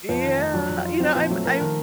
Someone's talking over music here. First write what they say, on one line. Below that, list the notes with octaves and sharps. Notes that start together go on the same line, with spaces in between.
Yeah, you know, I'm I'm
F2 F3
D#3
A3
F2 F#3
F2
F4
F#3 C4
A#2 F3
F#3 A3
F3 A#4
D#3